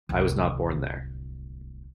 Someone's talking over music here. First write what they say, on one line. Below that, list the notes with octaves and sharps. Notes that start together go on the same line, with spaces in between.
I was not born there...
D1 C2